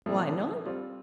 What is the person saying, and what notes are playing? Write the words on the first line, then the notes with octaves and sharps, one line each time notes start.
"Why not?"
A#2 F3 A3 C4 E4
G3 C4 F4